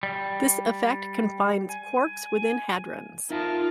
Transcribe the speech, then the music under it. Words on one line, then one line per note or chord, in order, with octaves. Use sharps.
This effect confines quarks within hadrons.
G3
G#5
D#4 F4 A#4 E5 A5